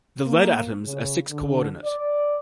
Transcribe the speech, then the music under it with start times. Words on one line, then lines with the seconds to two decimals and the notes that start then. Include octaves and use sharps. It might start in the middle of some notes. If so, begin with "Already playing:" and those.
The lead atoms are six-coordinate.
0.26 A#3
0.85 C#3
1.31 D3
1.85 D5